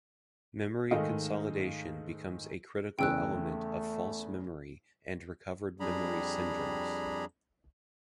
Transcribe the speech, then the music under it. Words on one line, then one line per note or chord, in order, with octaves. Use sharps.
Memory consolidation becomes a critical element of false memory and recovered memory syndromes.
G#2 D#3 G#3 A3 D#5 F5
E2 C#3 A3 G5 E6 F#6
F2 G3 D4 G#4 A#5 B5